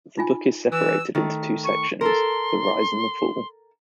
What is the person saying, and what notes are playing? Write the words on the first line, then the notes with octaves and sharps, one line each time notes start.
The book is separated into two sections: the rise and the fall.
D#4 F4 G#5
E3 E6
D#3 A3
C#6
A4 A#4 C6